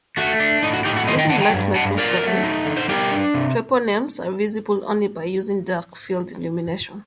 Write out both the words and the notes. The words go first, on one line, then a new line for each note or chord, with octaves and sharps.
Using light microscopy, treponemes are visible only by using dark field illumination.
A3 F#4
D4
A2 D#4
F#4
A2 D#4 G4
F#4
D#3 C5 D#5
D#5 G5
F#3 F#5 A5
G5 A#5
G2
G2 F#5 A5
F#3 A#4 D5
A3
D#4
D3
C5
G3 G4 A#4
D4
C3